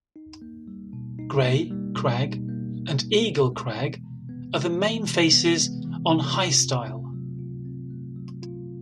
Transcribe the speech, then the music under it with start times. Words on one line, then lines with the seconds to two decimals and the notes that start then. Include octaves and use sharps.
Grey Crag and Eagle Crag are the main faces on High Stile.
0.16 D#4
0.42 A#3
0.68 G3
0.93 B2
1.19 D#4
1.46 A#3
1.71 G3
1.96 B2
2.22 D#4
2.48 A#3
2.75 G3
3.00 B2
3.26 B3
3.52 G#3
3.78 E3
4.04 C3
4.29 B3
4.55 G#3
4.80 E3
5.07 C3
5.33 B3
5.58 G#3
5.85 E3
6.09 C3
6.36 F4
6.61 C4
6.87 A3
7.13 F#3
7.39 F4
7.65 C4
7.90 A3
8.16 F#3
8.42 F4